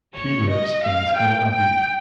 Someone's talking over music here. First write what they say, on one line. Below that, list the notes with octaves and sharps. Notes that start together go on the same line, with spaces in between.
He lives in Tel Aviv.
C#5
D#5
F5
G5
G5